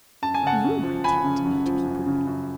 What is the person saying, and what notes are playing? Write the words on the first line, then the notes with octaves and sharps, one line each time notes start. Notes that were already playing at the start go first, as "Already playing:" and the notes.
You might tempt me to be brutal.
F#2 A5
G#5
C#3 F#5 A5
F#2
F3
F#2 G#5 B5
C#3
F#2
F3
F#2
C#3
F#2